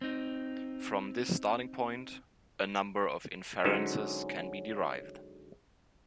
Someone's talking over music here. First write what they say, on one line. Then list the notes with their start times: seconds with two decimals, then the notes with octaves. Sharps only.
From this starting point, a number of inferences can be derived.
0.01 C4 D#4
3.65 D3 F#3 G#3 C#4 D#4 C5